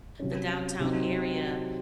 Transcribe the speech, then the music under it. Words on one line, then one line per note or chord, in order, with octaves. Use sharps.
The downtown area
C3 F#3 C#4
C3 F#3 C4 D#4